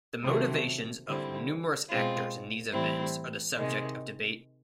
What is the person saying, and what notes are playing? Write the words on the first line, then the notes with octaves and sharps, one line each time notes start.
The motivations of numerous actors in these events are the subject of debate.
C3 D#3 F#3 A3 C4
D3 G3 C4 E4
B2 G#3 C4 F4
A2 E3 G3 C4 E4
C3 D#3 G#3